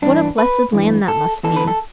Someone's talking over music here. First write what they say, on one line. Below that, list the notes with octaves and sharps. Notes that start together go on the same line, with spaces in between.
What a blessed land that must be!
G2 E3 D4
B4
G2 E3
A4
E2 E3 A4
B4
A4